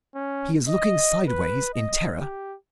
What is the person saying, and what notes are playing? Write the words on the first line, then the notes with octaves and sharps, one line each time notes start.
He is looking sideways in terror.
C#4
D#5
B4
D#5
G4